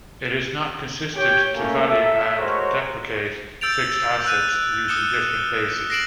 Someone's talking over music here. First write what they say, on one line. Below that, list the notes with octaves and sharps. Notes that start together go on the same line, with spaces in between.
It is not consistent to value and depreciate fixed assets using different bases.
G4 C#5 G5
A3 A#3 C#4
A4 E5
G#3 F#4 A#4 C5 C#5
E6 G6 A6 D7 F7
E6 F#6 D#7
D#6 F6 C#7 E7 G7
A#6 C7 D7 E7 F#7